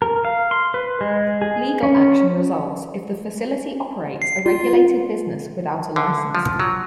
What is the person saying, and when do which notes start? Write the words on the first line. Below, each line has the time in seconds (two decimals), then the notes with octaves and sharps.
Legal action results if the facility operates a regulated business without a license.
0.02 A#4
0.25 F5
0.51 C6
0.74 B4
1.01 G#3
1.42 G#4
1.83 C#4
4.22 C7
4.46 F4
5.96 D3
6.35 F3
6.60 F#3